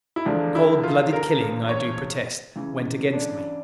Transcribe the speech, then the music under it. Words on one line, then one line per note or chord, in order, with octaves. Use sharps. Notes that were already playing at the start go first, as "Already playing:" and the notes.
A cold-blooded killing, I do protest, went against me.
E4
E2 D3 F3 D4
E4
F4
A#4
C#5
E2 C#3 E3
D4